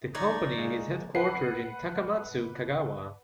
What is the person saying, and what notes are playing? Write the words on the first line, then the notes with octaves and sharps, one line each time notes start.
The company is headquartered in Takamatsu, Kagawa.
D#4 C#5 D5
G#3 A#3
B4 F#5 C7